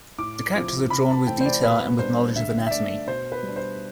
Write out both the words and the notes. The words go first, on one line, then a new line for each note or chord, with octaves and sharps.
The characters are drawn with detail and with knowledge of anatomy.
A2 D6
F3 C4 E4
C3 B5
A5
E3 A3 C4 G5
C5
D5
B2 B4
G3 B3 D4 C5
D3 E5
E5
A3 D4 D5
B2 C5
B4
G3 D4
C5